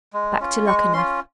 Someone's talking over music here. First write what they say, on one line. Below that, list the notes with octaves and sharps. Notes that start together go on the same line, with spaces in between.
"Back to Luckenough."
G#3
C#4 F4
G#3 C#6
C#4 F4 C6